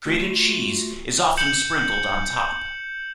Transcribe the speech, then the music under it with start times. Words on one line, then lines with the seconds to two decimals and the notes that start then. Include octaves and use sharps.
Grated cheese is often sprinkled on top.
0.05 A3 F4 F#4
1.37 G6 C#7 E7 F#7